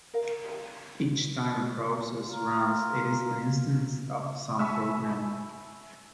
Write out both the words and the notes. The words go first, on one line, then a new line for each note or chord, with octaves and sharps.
Each time a process runs, it is an instance of some program.
A#4 F5
F4 A#4
E5 G#5 A5 B5 C#6 E6